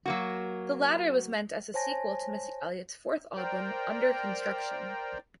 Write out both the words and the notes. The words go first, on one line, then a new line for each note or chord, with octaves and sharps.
The latter was meant as a sequel to Missy Elliott's fourth album "Under Construction".
F#3 A#3 F#4
C5 C#5 G#5 A5 A#6
A#4 C5 D5 G5 A#5